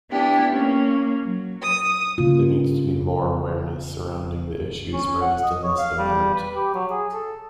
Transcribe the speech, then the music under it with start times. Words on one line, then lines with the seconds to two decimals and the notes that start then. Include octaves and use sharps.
There needs to be more awareness surrounding the issues raised in this event.
0.11 B3 D4 E4 G4
0.53 A#3 C#4
1.23 F#3
1.61 D#6
2.18 C#3 A#3 F4
4.93 C#4
5.22 F#5
5.43 D#5
5.63 C#5
5.78 F5
5.98 G3
6.34 B4
6.55 G4
6.74 F#3
6.91 G#4
7.13 A4